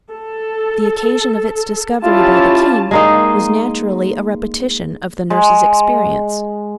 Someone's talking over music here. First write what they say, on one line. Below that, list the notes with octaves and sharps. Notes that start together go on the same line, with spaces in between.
The occasion of its discovery by the king was naturally a repetition of the nurse's experience.
A4
C#4 E4 F4 G4 A5
G#3 A#3 D#4
G#3